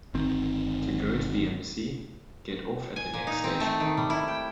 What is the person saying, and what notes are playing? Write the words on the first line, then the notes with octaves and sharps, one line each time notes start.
To go to the embassy, get off at the next station.
G1 D#3 C4
G#5
A#2
D#4
C4
A3
D#3
G3
E4
G5